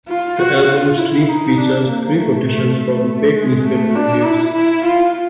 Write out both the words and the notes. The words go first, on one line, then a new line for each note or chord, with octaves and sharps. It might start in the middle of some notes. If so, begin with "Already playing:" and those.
The album sleeve features three quotations from fake newspaper reviews.
F4
F#4
F4
E4
D#4
D4
A#3
A3
A3
A3
G#3
A3
D4
E4
E4
F4